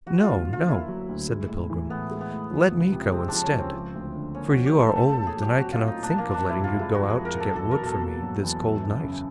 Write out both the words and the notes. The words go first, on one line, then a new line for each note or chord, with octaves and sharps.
"No, no," said the pilgrim, "let me go instead, for you are old, and I cannot think of letting you go out to get wood for me this cold night!"
F#3 F#4
F4
D2
D3
F4
A#3 E4
F#3
D2
G#3
A2
E3
A2 B3
G#3
B3
A2
F3
C#2
C3
G#3 C4
F3 D4
C#4
C#2
C4
F3
D2
D3
A#3 C#4
F3 F#4
G4
D2
A4
A3 A4
A4
A#2
G#4
F#3
G4
C4 F#4
A3 F4
D#4
A#2
D4
F3 A#3
F2 D4
E4
C3
F4
G#3 E4
F#4
F3
G#4
F2
A#4
F#3 A4
E2 A4
A#4
B2 A4
A#3
F#3
E2
F#3
F#2
C#3